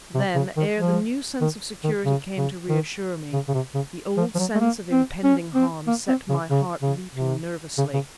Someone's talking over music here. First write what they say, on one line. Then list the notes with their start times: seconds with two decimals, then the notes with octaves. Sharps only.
Then, ere the new sense of security came to reassure me, the old sense of impending harm set my heart leaping nervously.
0.14 C3
0.35 C#3
0.57 D#3
0.78 F3
1.41 D#3
1.84 D#3
2.05 C#3
2.37 C#3
2.69 D#3
3.33 C#3
3.48 C#3
3.54 C3
3.74 C#3
4.17 F3
4.35 F3
4.39 F#3
4.55 A3
4.60 A#3
4.92 C4
5.24 C#4
5.55 C4
5.87 A#3
6.08 C4
6.29 C#3
6.51 C#3
6.82 C#3
7.14 C3
7.78 C#3
7.94 C#3